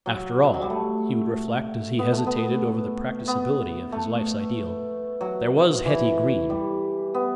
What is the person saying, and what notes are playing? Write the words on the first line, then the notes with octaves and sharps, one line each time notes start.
"After all," he would reflect as he hesitated over the practicability of his life's ideal, "there was Hetty Green."
F#3
F#3
G3
A3
B3
A3
B3
B3
A3
F#3
E3
G3
B3